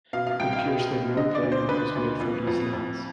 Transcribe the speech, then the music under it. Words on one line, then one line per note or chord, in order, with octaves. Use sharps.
It appears that no payment was made for these lands.
B2 F5
F5
C2 G5
F5
B2
B2
D3 D#5
D5
D2
C5
D3 B4
D2
F2
F2
F2